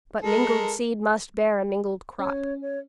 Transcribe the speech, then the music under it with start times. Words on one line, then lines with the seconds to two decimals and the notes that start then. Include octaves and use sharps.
But mingled seed must bear a mingled crop.
0.22 G#3 A4 A#4
2.19 C#4 C#5
2.62 C#5